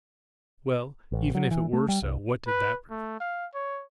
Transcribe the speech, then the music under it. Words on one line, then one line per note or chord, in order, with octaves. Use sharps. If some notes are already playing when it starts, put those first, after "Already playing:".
Well, even if it were so, what did that prove!
A1
F#3
E3
A3
G3
C2
B4
A3
F5
C#5